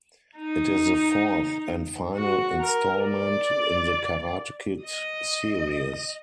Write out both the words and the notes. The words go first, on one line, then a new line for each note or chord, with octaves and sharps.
It is the fourth and final installment in "The Karate Kid" series.
D#4
F#4
A#4
D5
D#5